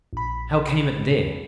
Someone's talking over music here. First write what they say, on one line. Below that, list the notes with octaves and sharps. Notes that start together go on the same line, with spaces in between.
"How came it there?"
A#1 B5